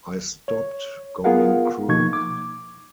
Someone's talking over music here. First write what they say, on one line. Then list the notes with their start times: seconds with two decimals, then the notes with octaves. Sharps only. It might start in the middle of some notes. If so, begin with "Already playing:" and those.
I stopped going crook.
0.48 C#5
1.24 B3 F4 G#4 A#4 F5 F#5
1.88 B2 F3 A#3 D#4 C#6 G#6
2.13 D6